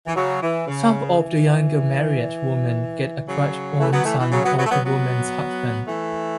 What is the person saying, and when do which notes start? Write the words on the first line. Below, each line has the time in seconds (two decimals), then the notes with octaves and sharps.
Some of the younger married women get a crush on some other woman's husband.
0.06 E3
0.15 C#3 F#3
0.41 E3
0.67 C#3
1.19 E3
3.27 C#3 F#3
3.79 E3 A3
3.92 F#3 B3
4.05 E3 A3
4.18 E3
4.31 C#3 F#3
4.44 F#3 B3
4.57 F#3 B3
4.65 A3
4.70 F#3 B3
4.83 F#3 B3
5.86 E3 A3